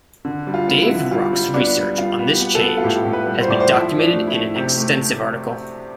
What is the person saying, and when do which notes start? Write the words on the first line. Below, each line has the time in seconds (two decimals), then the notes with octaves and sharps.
Dave Ruch's research on this change has been documented in an extensive article.
0.25 D3
0.47 G3
0.54 F4
0.68 B3
0.82 E4
0.89 D3
1.11 G3 F4
1.33 G3
1.54 B3 D4
1.77 G3
1.98 G3 F4
2.19 B3
2.27 G4
2.41 B3
2.55 A4
2.63 B3
2.77 F4
2.84 A2 G4
3.05 A2
3.13 B4
3.26 G3
3.41 C5
3.48 A2 D5
3.60 C5
3.70 F3 E4
3.92 F3
3.99 D4
4.13 A3
4.27 E4
4.35 A3
4.56 C3 G4
4.78 A3